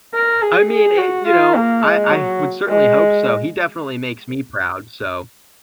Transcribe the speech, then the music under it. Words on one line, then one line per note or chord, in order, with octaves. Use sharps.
I mean it You know, I I would certainly hope so, he definitely makes me proud, so.
A#4
G#4
G#4
F#4
F4
A#3
G#3
F#3
G#3